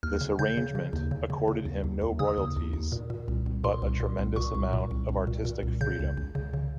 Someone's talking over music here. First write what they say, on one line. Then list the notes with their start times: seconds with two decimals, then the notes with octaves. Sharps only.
This arrangement accorded him no royalties, but a tremendous amount of artistic freedom.
0.03 D#2 F6
0.21 C#3
0.39 C#3 G6
0.57 C#3
0.75 C#3
0.93 D#2
1.11 C#3
1.30 C#3
1.48 C#3
1.65 D#2
1.84 D#2
2.02 D#2
2.19 C#3 D#6
2.38 D#2
2.56 D#2
2.73 D#2
2.92 A#2
3.10 A#2
3.28 C2
3.46 C2
3.64 A#2 C6
3.82 C2
4.00 A#2
4.19 C2
4.36 A#2 C#6
4.55 C2
4.73 A#2
4.91 C2
5.09 C2
5.27 A#2
5.45 A#2
5.63 C2
5.81 C#3 G6
5.99 C#2
6.17 C#2
6.35 C#3
6.54 C#3